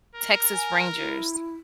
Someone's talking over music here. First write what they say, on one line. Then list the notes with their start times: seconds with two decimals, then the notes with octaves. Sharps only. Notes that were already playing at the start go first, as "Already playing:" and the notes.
Texas Rangers
0.16 A#4
0.53 G#5
0.97 E4